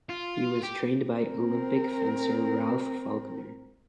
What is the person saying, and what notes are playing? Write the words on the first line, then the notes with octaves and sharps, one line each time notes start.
He was trained by Olympic fencer Ralph Faulkner.
F4
G4
C4 A#4